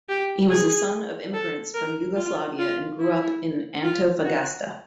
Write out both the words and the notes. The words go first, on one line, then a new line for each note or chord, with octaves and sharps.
He was the son of immigrants from Yugoslavia and grew up in Antofagasta.
G4
G#4
A4
A#4
F4
F4
E4
F4
F#4